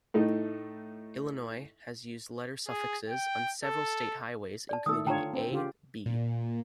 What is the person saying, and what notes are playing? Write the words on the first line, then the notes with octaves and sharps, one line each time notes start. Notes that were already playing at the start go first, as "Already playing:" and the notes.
Illinois has used letter suffixes on several state highways, including "A", "B".
A2 A3 D#4
G#4
G5
A4
D5 A5
D#3 A3 A4 D#6 E6
D3 F4 C#5 G5 A5 A#5
C4
C#3 F4 G4
A#2